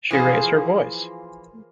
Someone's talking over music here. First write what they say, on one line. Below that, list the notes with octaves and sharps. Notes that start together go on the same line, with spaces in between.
She raised her voice.
E3 F3 A#3 F4 G#4